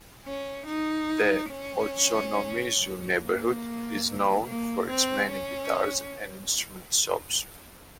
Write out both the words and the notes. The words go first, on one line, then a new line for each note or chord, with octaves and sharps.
The Ochanomizu neighborhood is known for its many guitar and instrument shops.
C#4
D#4
C#4
A#3
A#3
C4
C#4